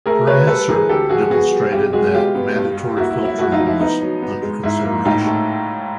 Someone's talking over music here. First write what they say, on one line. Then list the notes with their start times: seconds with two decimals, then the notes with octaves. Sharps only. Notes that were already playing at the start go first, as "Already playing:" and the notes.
Her answer demonstrated that mandatory filtering was under consideration.
0.06 A3 G#4 A#4
0.27 F#3 B4 C#5
0.47 G3 A4 B4
0.68 E3 G#4 A#4
0.89 D2 G4 A4
1.09 F3 F#4 G#4
1.30 B3 F#4 G#4
1.51 G3
1.72 C2 F4 G4
1.93 G#3 F#4 G#4
2.14 B2 F4 G4
2.35 B3
2.55 G2
2.76 G3
2.97 A#3 E4 F#4
3.11 E4
3.17 F#3
3.25 E4
3.38 A3 E4 F#4
3.52 D#4 F4
3.60 F3
3.66 E4
3.81 B3 D#4
4.01 F#3
4.22 B3
4.42 G#3
4.63 G#2 E4
4.84 A#3
5.05 A2 D#4 F4
5.26 A3